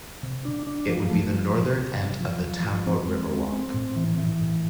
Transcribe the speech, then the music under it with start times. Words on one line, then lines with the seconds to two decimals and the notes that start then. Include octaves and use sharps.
It would be the northern end of the Tampa Riverwalk.
0.23 C3
0.45 D4
0.67 D4
0.88 F3
1.10 A3
1.32 F3
1.55 C3
1.76 C3
1.99 C3
2.21 F3
2.43 F3
2.64 F3
2.86 C4
3.08 G#3
3.31 C4
3.52 C4
3.74 A2
3.96 E3
4.18 E3
4.41 A2